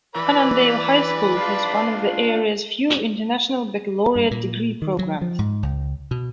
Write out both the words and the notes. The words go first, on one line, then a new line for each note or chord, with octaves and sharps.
Annandale High School has one of the area's few International Baccalaureate Degree programs.
E3 B4 D5 B5
D4 F4
G2
A#2
D#3
F#3
F3
G#2
C#2
B2